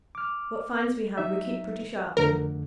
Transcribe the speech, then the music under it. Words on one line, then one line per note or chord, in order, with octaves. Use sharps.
What fines we have, we keep pretty sharply.
D6 F6
F#3 D#4 E5
F2 D3 A3 A#4